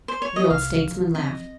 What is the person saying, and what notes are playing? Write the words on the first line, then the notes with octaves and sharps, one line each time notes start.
The old statesman laughed.
C5
C#5
D#5
C2 F5
F3
C4 D#5